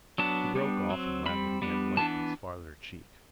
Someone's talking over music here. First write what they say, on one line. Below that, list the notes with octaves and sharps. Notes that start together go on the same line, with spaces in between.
He broke off and lathered again lightly his farther cheek.
F#3 B3 D4 A5
G3 B3 D4
F#3 C4
G3 C4 B5
G3 B3 D4
E3 B3 D4 A5